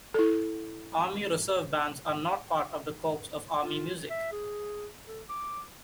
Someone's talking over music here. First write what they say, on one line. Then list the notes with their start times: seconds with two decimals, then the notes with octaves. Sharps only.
Army Reserve Bands are not part of the Corps of Army Music.
0.14 E4 A4
3.62 F4
4.10 E5
4.32 G#4
5.06 A4
5.29 D6